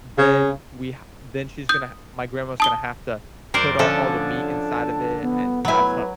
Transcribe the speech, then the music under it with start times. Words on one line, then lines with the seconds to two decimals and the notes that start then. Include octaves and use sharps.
Then we ha then she's gonna ha my grandma's gonna have to put on all the meat inside of it and that's a
0.18 C#3
1.69 D#6 G6
2.60 A5 D#6 G7
3.54 F#2 A#4 C5 D5
3.79 D3 F3 C#4 A4 A5
5.23 B3
5.65 F#3 B3 E4 B4 G#5